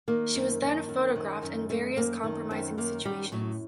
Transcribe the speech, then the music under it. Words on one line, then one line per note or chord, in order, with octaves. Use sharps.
She was then photographed in various compromising situations.
D#3 A#3
F#2
D#3
F#2
D#3
F#2
D#3 A3
F#2 A#3
D#3
F#2 C4
D#3 A#3
F#2 G3
A2 F#3